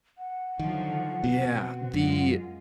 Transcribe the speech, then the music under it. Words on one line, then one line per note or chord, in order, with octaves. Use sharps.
Yeah, the
F#5
D3 D#3 F3 F#3
B2 C4
F#2 G#3 F4